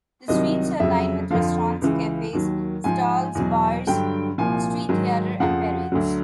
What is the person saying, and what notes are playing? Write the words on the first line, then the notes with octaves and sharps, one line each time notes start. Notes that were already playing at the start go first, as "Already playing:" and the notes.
The streets are lined with restaurants, cafes, stalls, bars, street theater and parades.
C2 C3 D#3 F#3 D#5
F2 C#3 F#3 E5
F2 D3 F3 F5
C#2 C#3 E3
D#2 D#3 F#3
G#2 F3 G#5
E2 B2 F#3
G2 D3 F#3 G5
C2 A#2 F3 G#5
G#2 D#3 F#3
F2 C#3 F3 F#5
D2 D3 F#3